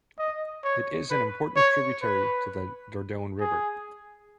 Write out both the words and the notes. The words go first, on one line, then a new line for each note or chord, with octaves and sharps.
It is an important tributary to the Dordogne River.
D#5
C#5
B4
C#5
B4
G#4